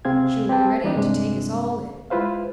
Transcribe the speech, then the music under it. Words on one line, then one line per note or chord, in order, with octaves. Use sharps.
She will be ready to take us all in.
C#2 C3 C4 G#4 F5 G#6
C4 G4 G#4 B4 G5 A5
E3 G3 A#3 D4 D#4
G2 C3 G#3 D4
G#3 E4 F4 B4 C5 F5